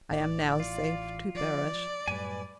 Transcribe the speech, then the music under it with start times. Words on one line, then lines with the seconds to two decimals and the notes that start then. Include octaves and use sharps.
I am now safe to perish.
0.11 A1 E3 D5
0.60 F4
1.35 F3 D5
2.08 F#2 A2 G3 B4 G#5